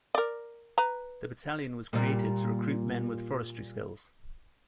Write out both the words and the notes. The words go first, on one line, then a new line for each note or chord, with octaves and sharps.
The battalion was created to recruit men with forestry skills.
A#4 D5
B4 A#5
A#2 G3